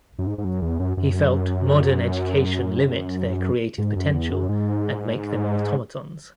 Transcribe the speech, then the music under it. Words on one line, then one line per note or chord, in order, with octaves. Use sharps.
He felt modern education limit their creative potential and make them automatons.
F#2
G#2
G#2
F#2
E2
F#2
F#2
G#2
F#2
E2
F#2
G#2